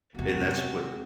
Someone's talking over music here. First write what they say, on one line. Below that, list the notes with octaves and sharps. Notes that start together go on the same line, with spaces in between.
And that's what
E2 C3 G#3 F#4